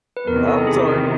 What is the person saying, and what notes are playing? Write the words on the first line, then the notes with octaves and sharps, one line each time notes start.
I'm sorry
B4
E2 C3 D#3 A#4
A4
G#4
A#4